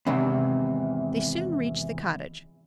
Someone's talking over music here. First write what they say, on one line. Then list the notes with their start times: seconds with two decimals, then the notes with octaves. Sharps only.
They soon reached the cottage.
0.07 E2 G#2 C3 D#3